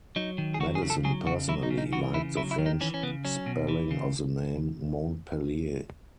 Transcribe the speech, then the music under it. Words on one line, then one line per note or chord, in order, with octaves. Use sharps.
Madison personally liked the French spelling of the name "Montpellier".
F#3 D#4
D#3
G#4
F#3 F#4
G#4
C#3
A4
F#3 G#4
C#3 F#4
F#3 E4
D#4
C#3
D#4
E3 F#4
C#3 E4
F#3 E4
E4
D#3
D#4
E3 C#4
C#4
C#3 B3
F#3 C#4
B2
E3
C#3